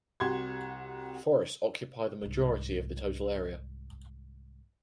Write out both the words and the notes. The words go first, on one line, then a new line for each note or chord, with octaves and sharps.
Forests occupy the majority of the total area.
C2 F#4 G4 C6 G#6
C2 G#2